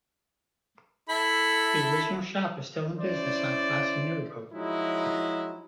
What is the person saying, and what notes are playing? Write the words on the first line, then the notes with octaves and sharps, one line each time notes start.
The original shop is still in business on Place Mirabeau.
E4 A4 B5
C#4 E4 C5 D5
F3 F#3 G#3 D#4 E4